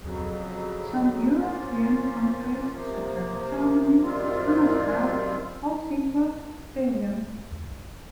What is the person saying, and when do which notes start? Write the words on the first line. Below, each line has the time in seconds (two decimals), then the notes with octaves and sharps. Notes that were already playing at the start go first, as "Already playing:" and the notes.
Some European countries, such as Germany, do not have all-seater stadiums.
0.02 F2 C#3 F#3
1.35 F3 A#3 C#4 F4
2.69 C3 F3 A#3
4.02 F#2 D#3 G3 C4 F4